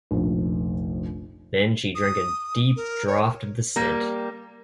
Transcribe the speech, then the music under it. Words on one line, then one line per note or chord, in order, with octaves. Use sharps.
Then she drank a deep draught of the scent.
F1 A#1
D#6
A#4
C#5
G3 A#3